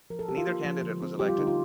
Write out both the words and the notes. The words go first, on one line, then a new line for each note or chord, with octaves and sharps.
Neither candidate was elected.
F3 A#4
A4
D4 G4
F4
A#3
F3
D3
C4
G3 G4
F4
D3 D#4
F4